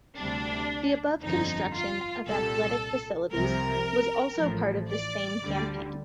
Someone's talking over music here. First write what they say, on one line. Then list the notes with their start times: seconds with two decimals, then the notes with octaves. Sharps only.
The above construction of athletic facilities was also part of this same campaign.
0.18 D2 C3 G3 D4
1.23 G1 F2 D3 D#4
1.75 F4
2.28 C2 A#2 G3 A4
3.32 C2 C3 F3 A#4
4.37 A1 A2 F3
4.89 D5
5.42 D2 D3 G3